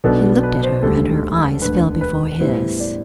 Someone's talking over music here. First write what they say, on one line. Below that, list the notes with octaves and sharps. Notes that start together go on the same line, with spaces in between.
He looked at her, and her eyes fell before his.
B1 B2 B3 D4 A4
B4
C5
E1 D2 D3 G3 A4
E1 D2 D3 B4
B4
A2 G3 B3 E4 C5
D5